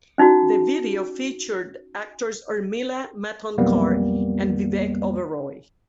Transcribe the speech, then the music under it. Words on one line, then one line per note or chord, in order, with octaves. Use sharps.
The video featured actors Urmila Matondkar and Vivek Oberoi.
C#4 D#4 E4 F#4
B1 F2 G3 A#3 B3